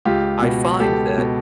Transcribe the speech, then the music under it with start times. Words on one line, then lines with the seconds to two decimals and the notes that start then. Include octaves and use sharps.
I find that
0.05 C#2 F4 G4
0.42 B2
0.80 C#2 G4 A4
1.18 B2